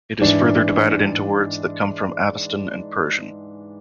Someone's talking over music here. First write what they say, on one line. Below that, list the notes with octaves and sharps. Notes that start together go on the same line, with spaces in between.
It is further divided into words that come from Avestan and Persian.
G#2 E3 D4